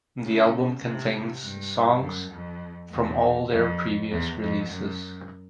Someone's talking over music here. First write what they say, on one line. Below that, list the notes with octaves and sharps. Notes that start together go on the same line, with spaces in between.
The album contains songs from all their previous releases.
C#3
C3
G2
F#2
F2
E2
F2
E2
F2
F#2